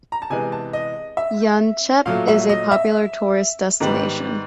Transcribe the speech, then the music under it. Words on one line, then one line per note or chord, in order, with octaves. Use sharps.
Yanchep is a popular tourist destination.
A#5
A5
C3 E3 G#3 B3 G#5
A5
D#5
E5
A#2 F#3 A3 F5
E5
D#5
E5
G#2 D#3 G3 B3